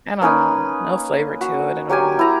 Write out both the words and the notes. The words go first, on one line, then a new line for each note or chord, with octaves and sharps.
I don't know, no flavor to it at all.
A#3 C#4 D#4 B4
F#4
F#3 G4 A#4 G#5
E4 A#5